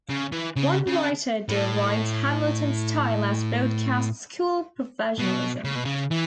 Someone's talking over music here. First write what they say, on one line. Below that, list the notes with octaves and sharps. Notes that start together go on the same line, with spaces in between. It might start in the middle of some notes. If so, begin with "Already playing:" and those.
One writer derided Hamilton's style as broadcast-school professionalism.
C#3
E3
C#3
C#3
A2
B2
C#3
B2
C#3
E3